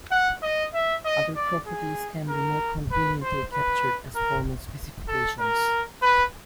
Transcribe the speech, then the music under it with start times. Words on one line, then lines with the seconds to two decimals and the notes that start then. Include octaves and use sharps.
Other properties can be more conveniently captured as formal specifications.
0.12 F#5
0.43 D#5
0.74 E5
1.05 D#5
1.36 D5
1.67 G#4
2.29 A#4
2.92 B4
3.23 C5
3.54 B4
4.15 A#4
5.09 A4
5.39 A#4
6.02 B4